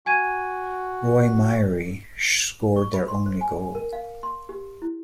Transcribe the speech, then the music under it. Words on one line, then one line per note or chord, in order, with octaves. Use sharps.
Roy Myrie scored their only goal.
F#4 G#5 G#6 D#7
C#6
B5
C6
C5
G#5
A#4
F5
C6
G4
E4